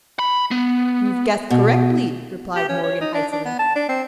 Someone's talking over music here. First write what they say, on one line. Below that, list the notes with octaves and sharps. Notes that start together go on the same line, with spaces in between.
"You have guessed correctly," replied Morgan, icily.
B5
B3
B2
G4
C#4
C#5
D#4
D4
D4
B3
A5
D4
C4